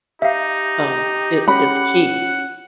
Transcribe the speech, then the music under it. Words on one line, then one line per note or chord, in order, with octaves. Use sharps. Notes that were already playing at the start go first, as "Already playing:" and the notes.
um, i is key.
D#4 G4 E5 F5
C#4 F#5 B5